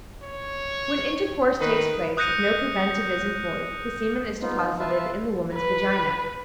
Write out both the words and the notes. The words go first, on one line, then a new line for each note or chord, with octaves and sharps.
When intercourse takes place, if no preventive is employed, the semen is deposited in the woman's vagina.
C#5
D#3 B4
D#6 F#6 G6 A#6 C#7 D#7
B3 D#4 F4
F4 B4 E5 F5 A5
B4